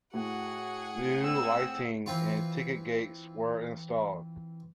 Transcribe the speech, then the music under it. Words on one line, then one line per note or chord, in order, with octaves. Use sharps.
New lighting and ticket gates were installed.
A2 F#4 G#4 F#5
C4 E6
E3 C4 F4